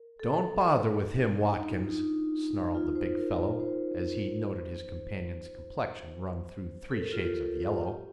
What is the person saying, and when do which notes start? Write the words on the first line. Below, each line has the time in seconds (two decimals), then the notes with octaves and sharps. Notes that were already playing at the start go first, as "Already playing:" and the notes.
"Don't bother with him, Watkins," snarled the big fellow, as he noted his companion's complexion run through three shades of yellow.
Already playing: A#4
0.20 A4
1.04 D#4
1.25 D4
1.47 D#4
1.68 F4
1.89 D#4
2.66 D#4
2.75 F4
2.95 C5
3.17 A#4
3.39 A#4
3.54 A#4
3.60 C5
6.91 A4
6.98 A#4
7.13 F4
7.20 G4
7.41 F4
7.62 F4
7.84 G4